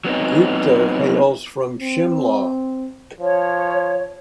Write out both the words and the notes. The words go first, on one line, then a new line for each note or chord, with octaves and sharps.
Gupta hails from Shimla.
F#3 B3 C4 D#4
C4
F3 C#5